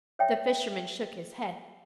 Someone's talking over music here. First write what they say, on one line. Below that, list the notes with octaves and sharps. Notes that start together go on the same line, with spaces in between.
The fisherman shook his head.
C#5 D5 E5 G5